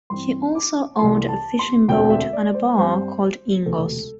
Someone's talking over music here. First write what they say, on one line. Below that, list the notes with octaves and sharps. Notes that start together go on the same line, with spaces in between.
He also owned a fishing boat and a bar called "Ingo's".
G2 E3 C4 C6
D6
C2 C3 E3 A3 C6
A5
C6
E1 D2 D3 C4 G5
E5
D5
C5
G2 G3 C4 C5
E1 D2 C3 A4